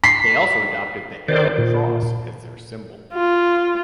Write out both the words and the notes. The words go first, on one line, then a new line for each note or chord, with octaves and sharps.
They also adopted the Arrow Cross as their symbol.
B6 C7
D#3 C5 D5
A#2
F4